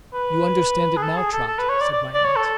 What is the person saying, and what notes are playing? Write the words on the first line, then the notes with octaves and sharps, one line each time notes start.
'You understand it now, Trot,' said my aunt.
B4
G#4
A4
G#4
A4
A4
B4
C#5
D5
D5
D5
C#5
A4